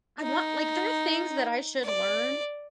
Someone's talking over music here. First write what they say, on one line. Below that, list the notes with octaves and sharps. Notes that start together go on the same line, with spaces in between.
I want, like there are things that I should learn,
D#4
D5